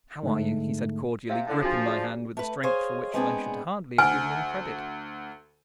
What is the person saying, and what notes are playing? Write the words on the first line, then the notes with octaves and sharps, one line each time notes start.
"How are you?" he said cordially, gripping my hand with a strength for which I should hardly have given him credit.
G#2 D3 A3
C3 E5 F5
A2 D3
F3 D4 F#4 G#4
G#4 D5
A3 B4
G#4 C5 C#5 D#5 F5
G#3 B3 C4 D4 F#4 G#4
D2 G#5 F6